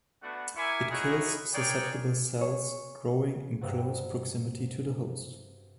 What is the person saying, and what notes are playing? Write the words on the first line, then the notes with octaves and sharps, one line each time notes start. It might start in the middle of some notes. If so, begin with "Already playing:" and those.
It kills susceptible cells growing in close proximity to the host.
A3 B3 D4 F#4 F#5
E4 A#4 E5 G#5 C#6 D6
D#4 E4 F#4 G#4 A#4 C#5
G#4 A#4 C#5 D5 G5
G#4 C#5
G2 C3 F#4